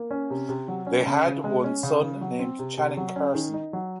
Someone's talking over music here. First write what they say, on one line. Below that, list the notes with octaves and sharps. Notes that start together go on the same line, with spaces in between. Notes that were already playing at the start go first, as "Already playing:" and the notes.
They had one son named Channing Carson.
Already playing: A#3
C#4
C3
C3
F#3
C#4
C#3
C#3
G#3
C#4
C#3
C#3
F#3
C4
C3
C3
F#3
C#4
D#3
D#4
F#3